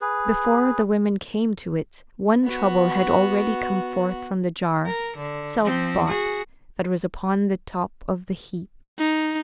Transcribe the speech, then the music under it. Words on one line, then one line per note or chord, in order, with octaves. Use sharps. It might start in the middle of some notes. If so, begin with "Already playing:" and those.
Before the women came to it one Trouble had already come forth from the jar--Self-thought that was upon the top of the heap.
G#4 B4
B3 F#4
A#4
D3
F3 C4
F#4 G#4
D#4